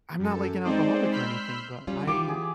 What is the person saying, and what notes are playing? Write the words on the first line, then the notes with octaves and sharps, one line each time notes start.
I'm not like an alcoholic or anything, but I
F#2 A4
G#3 C4 D#4 C5 D5
B5 C6 E6 F6 G6 B6
G3 C#4 F4
E3 F4 G4 D6
G#4